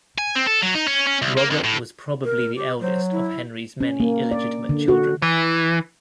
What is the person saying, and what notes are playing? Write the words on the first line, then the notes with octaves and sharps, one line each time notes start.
Robert was probably the eldest of Henry's many illegitimate children.
G#5
C4
A4
F#3
D#4
C#4
C#4
C2
A#3
F2
A2
A#4
G4
F#3 C5
E4
C#4
A#3
D5
D3
F#4
E3